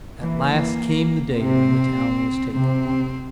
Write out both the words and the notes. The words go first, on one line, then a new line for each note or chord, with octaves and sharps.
At last came the day when the town was taken.
E3 A#3
E3
C3 C4
C3 C4